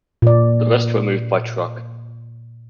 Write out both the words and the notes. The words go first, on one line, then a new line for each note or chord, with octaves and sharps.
The rest were moved by truck.
A#2 D5